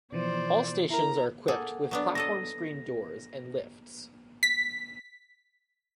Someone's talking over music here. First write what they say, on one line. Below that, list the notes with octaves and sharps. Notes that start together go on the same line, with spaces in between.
All stations are equipped with platform screen doors and lifts.
B2 E3 F3 C5 D5
E4 A#4 A#5
A#3 G#4 A4 F#5
F#3 B3 D4
F#3 A4 D#5 A#6
B6